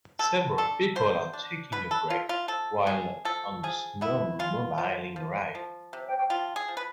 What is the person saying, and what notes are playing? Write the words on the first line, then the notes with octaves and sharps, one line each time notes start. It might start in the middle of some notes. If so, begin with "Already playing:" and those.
Several people are taking a break while on a snowmobiling ride.
B2 A4
D4 A4
B2 C5
D4
B2 B4
A4
B2 F4
F4
F3 A4
F3 G#4
F3 A4
F3 G#4
B3 E4
G#3 F4
F3
F3
F3
C3
F3 F4
G#4
F3
B4